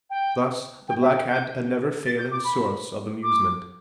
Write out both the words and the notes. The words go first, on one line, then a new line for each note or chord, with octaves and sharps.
Thus the black had a never-failing source of amusement.
G5
G5
E5
G5
G6
A6
G6
D6
B5
D6